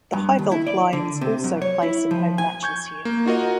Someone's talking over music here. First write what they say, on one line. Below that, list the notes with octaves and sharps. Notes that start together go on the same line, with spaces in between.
The Highveld Lions also play some home matches here.
G2
D#2
E4
D5
D3
C3
F#2
C#5
E4
F3
G#5
C#6 G6 G#6
A#3
D#4 F4 F#4 A#4 D#5